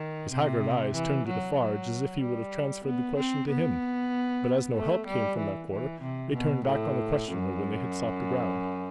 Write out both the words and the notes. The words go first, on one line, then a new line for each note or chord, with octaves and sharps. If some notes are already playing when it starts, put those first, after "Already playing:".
His haggard eyes turned to Defarge as if he would have transferred the question to him: but as no help came from that quarter, they turned back on the questioner when they had sought the ground.
Already playing: D#3
C3
E3
F#3
F#3
G3
B3
C4
B3
A3
G3
E3
E3
C3
B2
A2
F#2